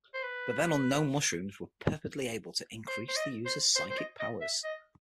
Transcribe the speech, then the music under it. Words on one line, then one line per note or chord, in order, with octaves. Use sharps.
The then-unknown mushrooms were purportedly able to increase the user's psychic powers.
C5
B4
C5
C5
D#5
C5
C5
C5
D#5
D#5
E5
D#5